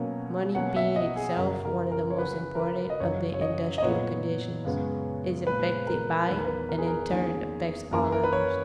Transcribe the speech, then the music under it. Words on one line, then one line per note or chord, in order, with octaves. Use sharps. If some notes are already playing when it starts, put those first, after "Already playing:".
Money being itself one of the most important of the industrial conditions, is affected by and in turn affects all others.
Already playing: B2 F#3 A#3 C#4
B2 F#3 A#3 C#4 F#5
E5
D#5
G#4
F#2 C#3 F#3 C#4 A#4
A#4
A#4
C#5
C#3 F#3 C#4 B4
A#4
B4
D#5
F#2 C#3 F#3 C#5
C#5
D#5
D#5
A#2 F#3 B3 C#5
F#2 C#3 G#3 B3
A#2 G#3 B3 B4
A#4
E2 D#3 F#3 B3 B4
A#4
B4
A#4
G#4
A#4
E2 D#3 A#3 C#4 G#4
F#2 E3 A#3 A#4
A#4
B4
C#5